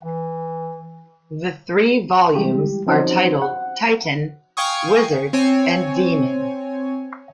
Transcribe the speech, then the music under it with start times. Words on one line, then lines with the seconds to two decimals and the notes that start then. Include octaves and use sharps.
The three volumes are titled "Titan", "Wizard", and "Demon".
0.03 E3
2.35 E3 G3 G#3 G4
2.87 F3 C4 C#4 D#4 F#4 C5
3.42 F#5
4.57 F5 G5 G#5 C#6 D#6
5.33 C4 C#5 G#5